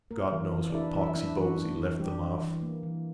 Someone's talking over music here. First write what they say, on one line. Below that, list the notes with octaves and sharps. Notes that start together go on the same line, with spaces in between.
God knows what poxy bowsy left them off.
A#3 A#4
E3
E3
D5
D4 E4 E5
E3 E4 E5
D4 E4 E5
E3 F#4 F#5
D4
E3
G3 D4 G4
E3
E3
A#3
E3